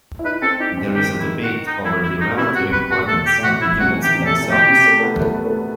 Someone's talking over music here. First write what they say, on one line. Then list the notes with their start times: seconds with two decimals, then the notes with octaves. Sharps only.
There is debate over the relative importance of the units themselves.
0.19 E4
0.25 D#4 B4
0.42 C4 A4
0.60 D#4 G4
0.78 C4
0.95 D#3 G4
1.20 E4
1.44 F#4
1.67 D#4
1.85 E4
2.02 E4
2.21 D#4
2.32 B2
2.38 C3 E4
2.55 F#4
2.65 C3
2.73 B2 B4
2.91 F#4
3.03 A2
3.08 B2 A4
3.26 G4
3.38 A2
3.44 B2 F#4
3.62 E4
3.79 C3 F#4
3.93 E3
4.03 D#3 G4
4.15 C3
4.26 A4
4.42 A2
4.50 B2 G4
4.68 C3
4.86 A3
4.99 A3
5.04 B3
5.21 A3
5.45 A3